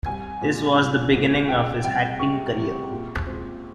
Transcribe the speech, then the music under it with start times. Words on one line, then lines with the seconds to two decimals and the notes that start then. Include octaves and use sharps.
This was the beginning of his acting career.
0.06 C2 G#5
0.41 A#2 G#3 C4
0.77 C2
1.13 A#2 G#3 C4
1.48 C#2 G5
1.84 C3 G3 G5
2.19 C#2 C#6
2.55 C3 G3
2.91 A#2
3.27 G#3 C4